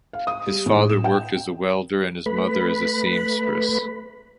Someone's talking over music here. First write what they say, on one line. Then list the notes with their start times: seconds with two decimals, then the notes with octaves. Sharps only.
His father worked as a welder and his mother as seamstress.
0.13 F5
0.27 D#6
0.47 G3
0.66 A2
0.89 E7
1.04 G5
2.26 A3 B4 B5